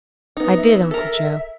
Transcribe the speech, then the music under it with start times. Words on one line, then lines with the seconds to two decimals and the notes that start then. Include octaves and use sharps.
"I did, Uncle Joe."
0.37 B3 D#4
0.57 E5
0.91 A4 A#4